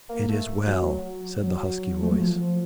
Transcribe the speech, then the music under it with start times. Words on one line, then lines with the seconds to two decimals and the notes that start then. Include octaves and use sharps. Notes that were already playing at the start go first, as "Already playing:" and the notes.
"It is well!" said the husky voice.
0.09 A#3
0.28 A3
0.67 F#3
1.43 F#3
2.02 A3
2.11 F#3
2.20 F3